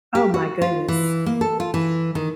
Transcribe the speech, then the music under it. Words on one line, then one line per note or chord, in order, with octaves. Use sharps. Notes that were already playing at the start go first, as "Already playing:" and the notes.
Oh my goodness,
G4
F#4
F4
E3
A#3
A4
F4
E3
D#3